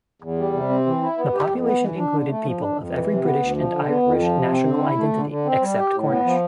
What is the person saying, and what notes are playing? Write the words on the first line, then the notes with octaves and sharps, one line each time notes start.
The population included people of every British and Irish national identity except Cornish.
E2
G3
C3
C4
E3
E4
B3
G4
F2
B3
E3
D4
D3
A3
F3
D4
F2
E3
C3
B3
D2
F3
D3
B3
F2
F3
C3
C4
D3
E4
A3
D3
D3
C4
G3
G4
A2
B3
F3